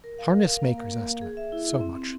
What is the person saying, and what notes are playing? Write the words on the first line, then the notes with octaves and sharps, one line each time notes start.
Harness-maker's estimate, so much.
A#4
F5
A#4
F5
A#3
A#4
A#3
F5
G#4
E5
E4
E4
C4
C4